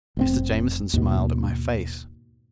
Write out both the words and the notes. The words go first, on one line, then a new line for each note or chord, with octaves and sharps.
Mr. Jamieson smiled at my face.
F1 A#2 C4
D#2 G#2 B2